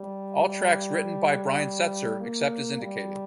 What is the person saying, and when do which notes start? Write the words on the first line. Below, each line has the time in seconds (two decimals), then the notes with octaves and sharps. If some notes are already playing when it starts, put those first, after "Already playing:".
All tracks written by Brian Setzer except as indicated.
Already playing: G3
0.40 G3
2.20 A#3
2.80 G3